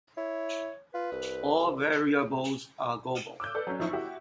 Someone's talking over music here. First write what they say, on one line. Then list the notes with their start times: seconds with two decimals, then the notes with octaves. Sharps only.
All variables are global.
0.17 E4 C#5
0.94 F4 B4
1.12 C2
1.90 A4
3.40 D6 E6 F#6 G6
3.55 A4 B4 D5
3.67 F#3 C#4
3.79 F#1 F3 D#4 E4 C#6
3.93 E4 F#4 G4